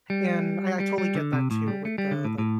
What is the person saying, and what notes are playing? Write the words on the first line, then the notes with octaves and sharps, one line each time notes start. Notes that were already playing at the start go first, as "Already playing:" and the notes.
and I I totally get that too with the, like,
G3
G3
G3
D3
C3
A2
G3
A3
G3
D3
A2
A2